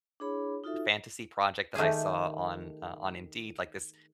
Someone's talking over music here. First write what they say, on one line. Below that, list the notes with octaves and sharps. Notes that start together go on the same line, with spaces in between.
fantasy project that I saw on uh, on Indeed, like this
D4 E4 G#4 C#5 B5
D#4 F4 F#4 A4 E5
D#3 A3 G4 G#4